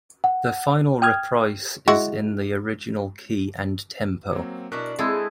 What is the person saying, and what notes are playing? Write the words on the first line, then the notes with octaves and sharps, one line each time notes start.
The final reprise is in the original key and tempo.
F#5
G5 D#6 F6 G#6
G#3 E4 F#4
F#3 A#3 C4
B2 D4 E4 A#4 F#6
G#3 C4 E4 A4 D#5 A5